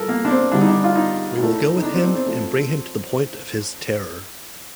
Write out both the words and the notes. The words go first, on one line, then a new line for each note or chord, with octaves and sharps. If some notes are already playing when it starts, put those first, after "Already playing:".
We will go with him and bring him to the point of his terror.
Already playing: G2 F3 A4 A#4
A#3
D4
C4
G2 D3 G3 D4
D#4
D4
F4
D#4
A2 A3
D#4
D4
C4
C4
C4
F3 A3